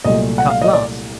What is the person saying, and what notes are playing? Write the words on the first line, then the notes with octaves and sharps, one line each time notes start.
Cut glass.
C2 A#2 F#3 A3 D#5
F#5
F5
D#5
D5